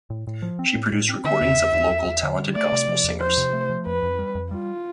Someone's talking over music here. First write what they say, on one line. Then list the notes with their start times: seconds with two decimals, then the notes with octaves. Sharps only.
She produced recordings of local talented gospel singers.
0.10 A2
0.27 A2
0.42 F3
0.59 C4
0.75 A2
0.92 A2
1.09 C4
1.24 D3 E5
1.41 E2
1.57 E2
1.73 E2
1.90 E2
2.06 E2
2.23 D3
2.40 G3
2.55 A3 D5
2.72 C3
2.88 F3
3.04 E2
3.20 F3 C5
3.37 C3
3.53 A3
3.70 F3
3.86 F2 B4
4.03 F2
4.19 G3
4.35 F2
4.51 G3 F4